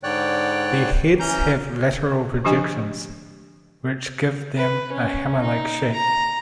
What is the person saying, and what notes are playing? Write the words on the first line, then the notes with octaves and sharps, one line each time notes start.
Their heads have lateral projections which give them a hammer-like shape.
G#2 D3 C#5 D5 G5 F#6
E3 C#4 A#5 G6
D3 F3 D4 G4 D#5 G#5
B4
C#4
D#4
A#5